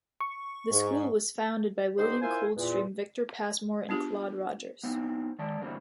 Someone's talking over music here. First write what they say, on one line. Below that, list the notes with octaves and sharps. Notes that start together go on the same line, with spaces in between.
The School was founded by William Coldstream, Victor Pasmore and Claude Rogers.
C#6
G#2
D3 D#4 G4 C5 C6
E4 F4 A#4 C5 G#5
E2 A#2
B3 D4 F4 G4 G#4
B3 C4 D#4
D#3 G#3 D5 A5
E2 G2 D3 G3 A#3 C4